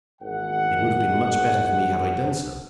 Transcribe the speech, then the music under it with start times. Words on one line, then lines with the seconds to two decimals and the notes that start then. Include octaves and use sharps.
It would have been much better for me had I done so.
0.22 G#1 E2 A#2 D#3 F#5